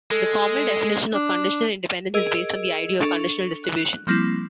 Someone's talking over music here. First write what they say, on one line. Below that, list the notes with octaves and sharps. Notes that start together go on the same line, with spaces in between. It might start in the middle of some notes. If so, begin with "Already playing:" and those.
The formal definition of conditional independence is based on the idea of conditional distributions.
G#3 A4
D4
G#4 A#4 D#5 E6 G#6 D7
D4 A4 C#6 C#7 F7
F#6
F3 G3 A#3 C4 E4